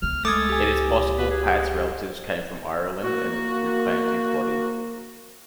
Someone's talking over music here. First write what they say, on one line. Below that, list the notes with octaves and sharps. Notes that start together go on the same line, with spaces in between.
It is possible Pat's relatives came from Ireland and reclaimed his body.
C#2 B3 F6
G#3 A3 A4 D6 D#6 G#6
G4 G#5
B4
G#4
A#3 F#4